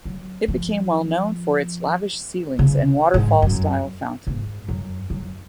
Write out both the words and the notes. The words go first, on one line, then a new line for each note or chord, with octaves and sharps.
It became well known for its lavish ceilings and waterfall-style fountain.
F#3
F3
C#3
G#2
F#2
G#2
F#2
F#2